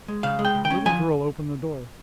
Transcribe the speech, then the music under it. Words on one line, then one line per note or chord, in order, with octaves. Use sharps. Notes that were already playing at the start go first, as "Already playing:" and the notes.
A little girl opened the door.
G#3
C#3 F5
G#3
G5
C#2
G5
C#4
F3 G#5